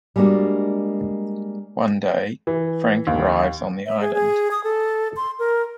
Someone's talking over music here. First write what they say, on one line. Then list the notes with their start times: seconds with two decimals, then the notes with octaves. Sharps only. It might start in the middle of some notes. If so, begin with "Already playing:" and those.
One day, Frank arrives on the island.
0.16 G3 G#3 A#3 B3 D4 F#4
2.47 E3
3.07 D#2
3.86 E5
4.01 G#4
4.14 G#4
4.51 D#6
4.64 A4
5.16 C6
5.39 A#4